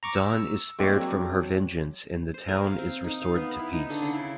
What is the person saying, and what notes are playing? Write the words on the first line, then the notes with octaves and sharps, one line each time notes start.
Don is spared from her vengeance and the town is restored to peace.
A#5 C#6 D6
E6
G#3 A#3 C4 D4 G4 C#5
F#3
C5
A#4
F5
C4
D#4
F5
B3
E4
D#4
D3
C#3
E4